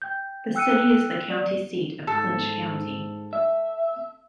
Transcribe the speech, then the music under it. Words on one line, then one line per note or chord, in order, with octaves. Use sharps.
The city is the county seat of Clinch County.
G5 G6
G5 E6 F#6 C#7 D#7
D5
G#2 A4
E5